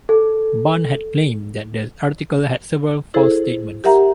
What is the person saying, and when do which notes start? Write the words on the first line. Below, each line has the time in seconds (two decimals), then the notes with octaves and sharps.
Bond had claimed that the article had several false statements.
0.09 A4
3.14 E4 G#4 A4 C5
3.84 G4 A#4 E5 F#5 A#5